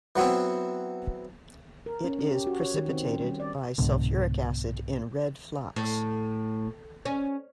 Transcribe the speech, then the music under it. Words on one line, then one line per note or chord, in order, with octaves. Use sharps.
It is precipitated by sulfuric acid in red flocks.
E3 F#3 B3 C4 E4
A#4
C#4
C#4
G4
F#4
C#5
D#3
C4
C#4
G3
D5
C2 G#2 B2 D3
A2
C#4